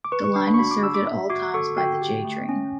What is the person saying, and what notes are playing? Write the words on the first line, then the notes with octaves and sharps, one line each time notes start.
The line is served at all times by the J train.
D6
B4 C#6
C#6
D4
B5
C#6
F#4 B5
D6
D4 E6
D6
E5
F#4 D6
A4 C#6
F#4 G5
G4
A3
C#4